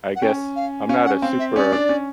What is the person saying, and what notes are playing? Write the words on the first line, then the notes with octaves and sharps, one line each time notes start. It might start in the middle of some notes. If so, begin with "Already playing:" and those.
I guess, I'm not a super,
F#5
C#4 G5
F5
C#4 F5
F#5
C4 F5
E5
C#4 D5
D4
C#4